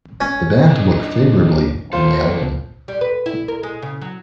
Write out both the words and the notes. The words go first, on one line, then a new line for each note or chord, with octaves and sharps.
The band look favourably on the album.
C#4
D4 D#4
B2 F4 A4 C5
G3
B4
E4
A#4
G#3
C#3
F#3